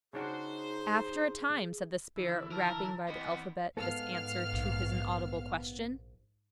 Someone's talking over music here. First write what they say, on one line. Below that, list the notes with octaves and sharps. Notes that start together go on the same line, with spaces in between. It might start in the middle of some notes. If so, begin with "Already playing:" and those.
"After a time," said the spirit, rapping by the alphabet this answer to his inaudible question.
C#3 D4 D#4 F#4 G#4 C5
D3 E3 E4
A#4 A5
E3 B3 C4 D5 D#5 B5
G#2 B3 A4 F5 F6
A#1